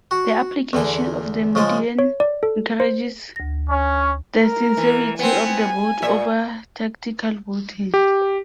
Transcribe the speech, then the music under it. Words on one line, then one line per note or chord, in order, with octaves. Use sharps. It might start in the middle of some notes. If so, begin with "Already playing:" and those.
The application of the median encourages the sincerity of the vote over tactical voting.
F#4
E2 D3 G#5
C#3 F3 G#3 A5
C#5
D5
A4
C5
D2 A#6
C#4
A#4
E3
B3 C4 G#5
A#2 E5
G4